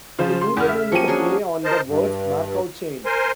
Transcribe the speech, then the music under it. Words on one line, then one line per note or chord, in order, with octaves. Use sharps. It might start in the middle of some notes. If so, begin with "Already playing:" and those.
The username is a play on the words "Markov chain".
C#3 F3 F4 C5
C#3 C6
E2 F6
E5
F3 F#3 A#3 C#4 G4 C#7 D#7
C#4 D4 F#4 G#4
A#4 C5 D#5 A5
G2
A#4 C5 G#5 C6